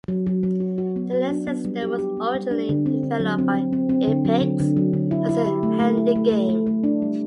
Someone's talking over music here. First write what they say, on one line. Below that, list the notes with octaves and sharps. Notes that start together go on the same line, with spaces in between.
The Lynx system was originally developed by Epyx as the Handy Game.
F#3
F#3
F#3
F#4
F#4
B3
F#4
D4
B3
G3
G4
G4
B3
G3
D4
D3
C4
D3
F#3
C4
C4
C4
C4
D3
F#3
D3
D3
F#3
D3
E4
E4
G4
A3
A3
E4
A3
A3
A3
A3
D4
G3